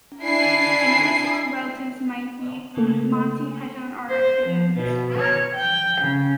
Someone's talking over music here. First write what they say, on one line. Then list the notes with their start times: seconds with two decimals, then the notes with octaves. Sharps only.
The nearest relatives might be Monty Python, or The Goons.
0.24 D4 E4 G#5 C7
2.77 C#3 A3 A#3 A4
4.10 C5
4.46 F3
4.78 B2
5.19 C#5
5.55 G5
6.01 C#3